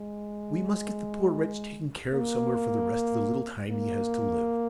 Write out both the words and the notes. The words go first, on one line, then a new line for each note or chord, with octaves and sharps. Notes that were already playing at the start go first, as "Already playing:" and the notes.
We must get the poor wretch taken care of somewhere for the rest of the little time he has to live.
Already playing: G#3
A#3
A#3